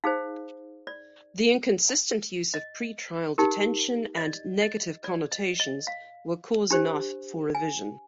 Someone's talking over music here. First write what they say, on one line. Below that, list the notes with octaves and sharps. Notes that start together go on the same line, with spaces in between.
The inconsistent use of pre-trial detention and negative connotations were cause enough for revision.
D#4 G#4 C5 F5
D5
D#5
D#4 G4 A#4
D#5
D5
D#5
D5
D#5
D#5
F5
D4 G4 C5
G#5